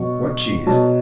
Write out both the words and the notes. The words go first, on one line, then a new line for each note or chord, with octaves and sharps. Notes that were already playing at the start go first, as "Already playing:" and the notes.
"What cheese?"
Already playing: B2 F#3 C#6
B2 F#3 A5